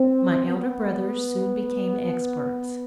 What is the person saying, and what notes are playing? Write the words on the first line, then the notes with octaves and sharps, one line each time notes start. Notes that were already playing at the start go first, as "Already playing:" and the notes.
My elder brothers soon became experts.
Already playing: C4
B3